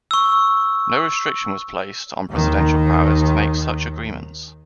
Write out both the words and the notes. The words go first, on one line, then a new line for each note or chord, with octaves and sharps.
No restriction was placed on presidential powers to make such agreements.
C#6 E6
D#2 D#3